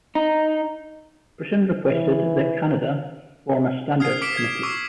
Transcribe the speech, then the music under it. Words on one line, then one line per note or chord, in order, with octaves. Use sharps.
Britain requested that Canada form a standards committee.
D#4
E3
D#6 F6 G#6 C7
D6 F6 B6 C#7 D7
G#6
C#6 D6 E6 C7